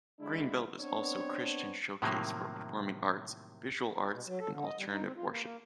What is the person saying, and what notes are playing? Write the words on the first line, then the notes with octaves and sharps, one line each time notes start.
Greenbelt is also a Christian showcase for performing arts, visual arts and alternative worship.
D3 G#3 D4 E4
B3 C4 D4 C#5
A2 C3 D#3 F3 F#3 A#3
B2
F#3
A4
D3
D#5
G3
D#4
C4
F4
A#3
A#3